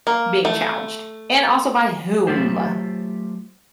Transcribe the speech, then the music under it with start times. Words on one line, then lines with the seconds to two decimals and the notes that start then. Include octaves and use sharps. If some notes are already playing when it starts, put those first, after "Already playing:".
being challenged. And, also by whom.
0.07 A#3
0.45 A3
2.27 F#3 A3 F4 G4 C5